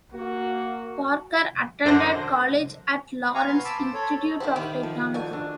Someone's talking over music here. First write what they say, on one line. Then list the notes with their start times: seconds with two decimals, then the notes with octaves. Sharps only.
Parker attended college at Lawrence Institute of Technology.
0.14 A#3 F#4
1.85 F#2 D3 D4 C5 A#6
3.23 C4
3.34 F5 G#5 A#5 C#6
3.47 B3 C6
3.65 A5 B5 D6 E6
3.81 C5
3.94 A4 C#5
4.40 D#3 G#3 E4 G4 C5
4.56 D#3 G4
4.83 F3 A4
5.14 A3 F#4 D5 G#5
5.33 A3 D4